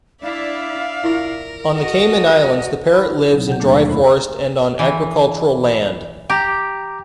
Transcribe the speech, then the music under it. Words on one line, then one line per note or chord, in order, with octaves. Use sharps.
On the Cayman Islands the parrot lives in dry forest and on agricultural land.
D4 E4 D5 E5 F5
E4 F4 A#4 C#6
F#4 G#4 D#5
E4 B5
B2 F#3 C4 D#4
F#5 G6
D#2 F#3 A3 A#3 D4
F2 D3 A3 E4 B5
E3
G4 G5 A#5 D6